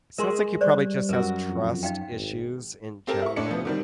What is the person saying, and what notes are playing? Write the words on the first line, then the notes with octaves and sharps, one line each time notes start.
sounds like he probably just has trust issues in general,
G#3 G#4 A#4 C6 C#6
G3 C5 D5 C#6
F#2 F#4 A#4 B4
F2
D#4 F5 G5
G#1
C4 G4 A4 A#4
E4 C#6
A2 D4 C#7
F3 B3
C3 D#3 G3